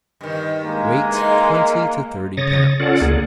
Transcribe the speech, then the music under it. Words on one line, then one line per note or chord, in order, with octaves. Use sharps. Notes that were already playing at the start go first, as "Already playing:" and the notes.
Weight twenty to thirty pounds.
G2 D#3
G#3 A#3
E3 D#4
C#3 C#5 D#6 A6 A#6
C#4 F4 A4 D5 F#5
D2 A#3 G#4